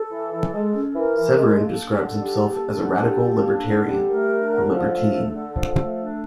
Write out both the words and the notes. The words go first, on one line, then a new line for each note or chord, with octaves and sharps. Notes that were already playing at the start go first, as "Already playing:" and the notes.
Severin describes himself as a radical libertarian, a libertine.
Already playing: A4
E3
E3
G#3
C#4
E3 A#4
E3
G#3
A#3 A4
D4
D3
G3
A#3
D4
D3
G3
A#3
D4
D3
G3
A3 A#4
D4
D3
F3 A4
A3
D4
D3
F3
A3
D4